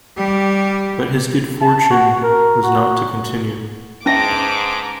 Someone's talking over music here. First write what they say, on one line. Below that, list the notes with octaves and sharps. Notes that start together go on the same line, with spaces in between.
But his good fortune was not to continue.
G3 G4
A5
F#4
A#4
F#4
G#2 C#4 B4 E5 A5 D6 A#6